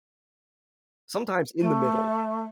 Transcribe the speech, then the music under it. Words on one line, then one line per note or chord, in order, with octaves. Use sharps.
sometimes in the middle,
A3